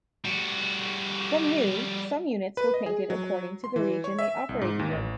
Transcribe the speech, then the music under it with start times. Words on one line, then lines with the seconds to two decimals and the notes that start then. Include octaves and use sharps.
From new, some units were painted according to the region they operated in.
0.25 G3 F#4
2.57 B4
2.74 D#5
2.86 G#4
3.10 F#3
3.64 C6
3.76 E3
4.04 C#5
4.19 E5
4.49 C2
4.62 G#2
4.79 D#2
4.92 A1